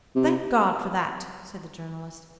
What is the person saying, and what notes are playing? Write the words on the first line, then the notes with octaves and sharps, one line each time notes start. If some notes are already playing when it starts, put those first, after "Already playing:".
"Thank God for that," said the Journalist.
C3